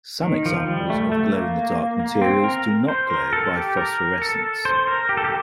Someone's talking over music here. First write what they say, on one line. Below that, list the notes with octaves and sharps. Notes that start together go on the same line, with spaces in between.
Some examples of glow-in-the-dark materials do not glow by phosphorescence.
D#3
F3
G3
A3
A3
A#3
A#3
C4
A#4
C5
A#4
A4
G4
A#4
A4
C5
A#4
G4
A4
G4